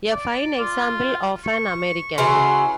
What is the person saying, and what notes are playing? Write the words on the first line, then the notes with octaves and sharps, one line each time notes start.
A fine example of an American.
D5
F4
C#6
C#3 E3 F#4 C6